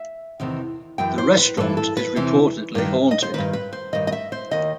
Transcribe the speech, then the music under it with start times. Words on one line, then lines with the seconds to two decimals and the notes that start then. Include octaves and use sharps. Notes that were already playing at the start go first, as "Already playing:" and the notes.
The restaurant is reportedly haunted.
Already playing: E5
0.40 E2 C3 D#3
0.98 F#2 E3 G5
1.18 C5
1.37 B4
1.57 G2 E3 A4
1.77 A4
1.97 B4
2.16 E2 C3 E3
2.75 G2 D#3
3.11 D#5
3.22 C5
3.34 G2 D#3 B4
3.53 B4
3.73 C5
3.93 G2 D#3 D#5
4.07 D#5
4.12 E5
4.32 C5
4.51 D#2 D#3 D#5